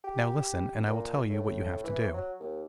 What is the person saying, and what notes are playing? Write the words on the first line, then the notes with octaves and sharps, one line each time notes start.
'Now listen, and I will tell you what you have to do.'
G4
A#2
A2
E3
F#3
D#2